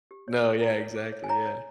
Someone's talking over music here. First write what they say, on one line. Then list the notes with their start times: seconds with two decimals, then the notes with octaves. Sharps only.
No, yeah, exactly, yeah.
0.11 G4
0.28 C#5
0.45 G4
0.61 E4
0.79 C#5
0.96 G#4
1.12 C#5
1.24 G#5
1.29 C#5 A#5
1.46 C#5